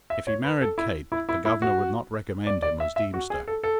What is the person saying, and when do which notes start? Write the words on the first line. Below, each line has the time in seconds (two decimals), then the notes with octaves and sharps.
If he married Kate, the Governor would not recommend him as Deemster.
0.10 E5
0.27 C#5
0.44 B4
0.61 A4
0.78 E4
1.12 E4
1.29 E4
1.45 E4
1.62 F#4
2.47 D5
2.62 D5
2.80 E5
2.96 E5
3.14 F#4
3.30 G#4
3.48 A4
3.63 A4